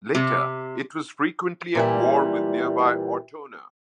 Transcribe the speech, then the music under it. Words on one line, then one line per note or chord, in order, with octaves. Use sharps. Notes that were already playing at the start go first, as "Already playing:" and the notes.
Later it was frequently at war with nearby Ortona.
C3
A#2 E3 G3